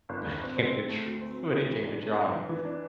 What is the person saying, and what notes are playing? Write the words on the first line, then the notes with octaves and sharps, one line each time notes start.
when it came to dr when it came to drawing.
G1
G2
C4
C4
C4
A3
D2
C4
C4
D2
E3
D4
C3
D4
E3
E3
D4